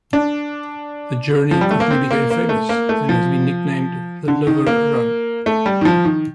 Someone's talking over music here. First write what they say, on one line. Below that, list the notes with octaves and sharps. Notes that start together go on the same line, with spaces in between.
The journey quickly became famous, and has been nicknamed the Liver Run.
D4
F3
G3
A3
A#3
C4
A#3
A#3
A3
A#3
A3
F3
D3
D#3
A#3
A3
G3
D#3
F3
D#3